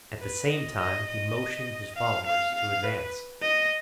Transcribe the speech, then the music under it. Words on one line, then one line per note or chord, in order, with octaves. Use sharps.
At the same time he motioned his followers to advance.
B4
D#5
D#5
D#5
F5
F5
F5
B4
D#5